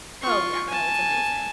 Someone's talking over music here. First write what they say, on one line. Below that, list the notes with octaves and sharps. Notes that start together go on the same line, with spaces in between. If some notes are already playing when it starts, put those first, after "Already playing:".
Oh yeah, no, it's amazing.
F4 C#6
G#5 A5